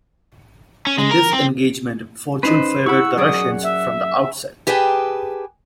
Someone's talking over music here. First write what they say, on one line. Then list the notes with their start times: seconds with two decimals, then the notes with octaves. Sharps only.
In this engagement, fortune favored the Russians from the outset.
0.87 C#4
0.98 G#3
1.11 A#4
1.33 C4
2.43 C#4 D#4 B4 C5 D#5
2.86 E4 F#5 B5 C#6 E6
3.17 F#2 G#4 D5 D#6
3.63 E5
4.67 G4 G#4 B4 G5 A5